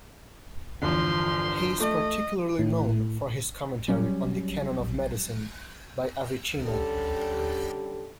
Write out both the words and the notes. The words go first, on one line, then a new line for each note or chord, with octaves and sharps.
He is particularly known for his commentary on "The Canon of Medicine" by Avicenna.
G1 E2 F3 C6
A3 D#5
A2
F#3 G3 C#4
D3 G3 C#4 G4 A4